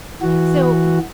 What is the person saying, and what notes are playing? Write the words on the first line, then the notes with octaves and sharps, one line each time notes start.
So, w
E3 F#4